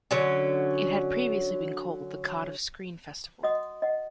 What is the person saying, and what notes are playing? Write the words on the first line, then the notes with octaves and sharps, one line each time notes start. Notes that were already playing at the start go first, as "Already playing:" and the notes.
It had previously been called the Cardiff Screen Festival.
D3 F#3 C#4
F#4 D#5 F#5 D#6
D#5 F#5